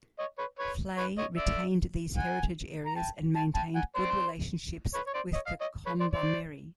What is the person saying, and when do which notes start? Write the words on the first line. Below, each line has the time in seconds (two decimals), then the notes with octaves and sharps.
Fleay retained these heritage areas, and maintained good relationships with the Kombumerri.
0.19 C#5 D#5
0.38 B4 C#5
0.59 B4 C#5
0.98 B4 C#5
1.18 C#5 D#5
1.37 D5 E5
2.16 F#5 G#5
2.86 A#5
2.96 G5 A5
3.36 G5 A5
3.55 G5 A5
3.75 F#5 G#5
3.95 C5 D5
4.94 B4 C#5
5.07 C#5
5.14 C5 D5
5.33 C#5 D#5
5.47 D#5 F5
5.61 C#5 D#5
5.86 B4 C#5
6.00 C5 D5
6.13 C5 D5